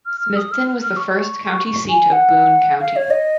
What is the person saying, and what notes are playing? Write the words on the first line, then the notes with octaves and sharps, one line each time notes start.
Smithton was the first county seat of Boone County.
F6
F6
D#6
F6
F6
C#6
G#5
F#5
F5
C#5
D#5